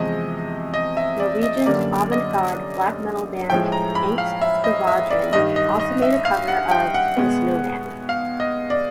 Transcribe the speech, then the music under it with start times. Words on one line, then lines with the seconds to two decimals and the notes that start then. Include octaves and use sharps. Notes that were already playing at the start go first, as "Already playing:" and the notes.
Norwegian avant-garde black metal band, Angst Skvadron, also made a cover of "The Snowman".
Already playing: E2 C3 F3 G#3 D#5
0.74 D#5
0.97 E5
1.20 D5
1.43 D#5
1.66 F#2 D3 G3 A#3 D5
2.12 D#5
3.50 A2 F3 G#3 G5
3.72 A#5
3.95 B5
4.18 F5
4.41 E5
4.64 D#5
4.87 E5
5.10 D5
5.33 G2 D#3 G3 D#5
5.56 D#5
5.80 D#5
6.02 E5
6.25 F5
6.48 F#5
6.71 G5
6.94 F#5
7.17 B2 G#3 B3
8.09 F5
8.40 D#5
8.70 D5